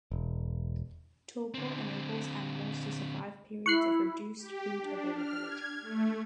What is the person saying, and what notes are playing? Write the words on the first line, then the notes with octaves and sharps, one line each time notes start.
Torpor enables animals to survive periods of reduced food availability.
E1
D3 C4
E4 C#6 F#6 C7
G4
D4
F6
G#6
A3